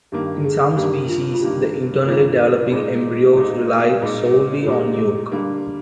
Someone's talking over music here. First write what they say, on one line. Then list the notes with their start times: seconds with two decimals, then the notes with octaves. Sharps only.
In some species, the internally developing embryos rely solely on yolk.
0.12 G2 D#3 A#3 G4
0.44 G#4
0.76 G2 D#3 A#3 G4
1.09 F4
1.34 F4
1.41 G2 D#3 A#3 G4
2.06 G2 D#3 A#3 F4
2.72 A#2 G#3 D#4
3.37 A#2 G#3 D#4
4.02 A#2 G#3 D#4
4.62 F4
4.67 A#2 G#3 D#4 G4
5.32 D3 G3 A#3